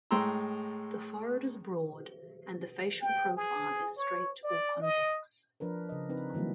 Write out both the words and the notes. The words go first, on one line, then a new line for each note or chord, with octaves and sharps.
The forehead is broad, and the facial profile is straight or convex.
A2 G#3 G5 A#5 C6 E6
G5
G#4
C#5
D5
D#5
F3 D4 A#4 B4
C#3 D#5
C4 D#4 B4
D3 E3 F#3 G3 A#3